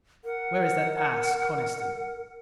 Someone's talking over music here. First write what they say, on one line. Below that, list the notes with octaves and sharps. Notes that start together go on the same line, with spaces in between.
Where is that ass, Coniston?
A#4 F#5